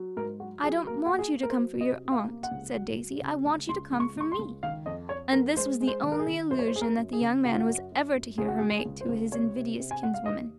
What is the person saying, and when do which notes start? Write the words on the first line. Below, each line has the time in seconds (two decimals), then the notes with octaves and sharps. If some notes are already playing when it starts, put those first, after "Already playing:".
"I don't want you to come for your aunt," said Daisy; "I want you to come for me." And this was the only allusion that the young man was ever to hear her make to his invidious kinswoman.
Already playing: F#3
0.17 G#2 A#4
0.40 F#3 F#4
0.63 F#3 G#4
0.87 A#3 A#4
1.06 A#3 F#4
1.19 G#4
1.35 A#3
1.43 A#4
1.50 C5
1.58 F#3
1.81 C3 D#5
2.05 C3
2.12 F5
2.28 A#3
2.43 F#5
2.51 C#2
2.75 F#3
2.99 F#3
3.21 C#3
3.45 C#2
3.69 C#2 C6
3.93 C#2
4.00 C#6
4.16 C#2 C#6
4.32 C6
4.39 C#2
4.63 D#3 F5
4.86 F2 D#5
5.09 F2 C#5
5.33 F2 A#4
5.57 G#3 C5
5.80 G#3
5.87 C5
6.03 D#3
6.12 A#4
6.19 G#4
6.27 D#3
6.50 F#2 C5
6.59 C#5
6.67 C5
6.74 F#2 G#4
6.81 A#4
6.98 F#2
7.13 G#4
7.21 C#3
7.45 C#3 F#4
7.53 F4
7.60 F#4
7.68 F#2
7.92 F#2
8.15 F#2
8.38 C#2 G#4
8.48 F#4
8.59 G#4
8.62 C#2
8.70 G#4
8.85 C#2
9.01 C5
9.09 C#2
9.32 C3 C#5
9.56 C3
9.80 C3
9.91 G#5
10.02 C3 F#5
10.14 F5
10.26 D#2 D#5